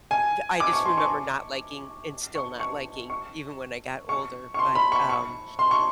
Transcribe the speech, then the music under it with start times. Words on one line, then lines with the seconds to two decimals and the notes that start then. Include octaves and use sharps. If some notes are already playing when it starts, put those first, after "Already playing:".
th I just remember not liking, and still not liking even when I got older, but um
0.11 G#5
0.60 D6
0.73 C#6
0.85 C6
0.97 C#6
2.35 C#6
2.60 C#6
3.10 C#6
4.09 C#6
4.54 C#6
4.59 C6
4.75 B5
4.92 C#6
5.09 C#6
5.59 C6
5.71 C#6